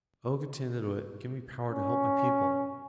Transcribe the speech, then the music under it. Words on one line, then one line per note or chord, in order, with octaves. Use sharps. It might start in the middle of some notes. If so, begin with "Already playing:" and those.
O Getanittowit, give me power to help my people.
C#4